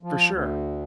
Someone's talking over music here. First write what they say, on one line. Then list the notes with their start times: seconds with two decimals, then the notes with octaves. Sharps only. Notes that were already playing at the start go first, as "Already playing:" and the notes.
For sure.
0.03 F3
0.32 D2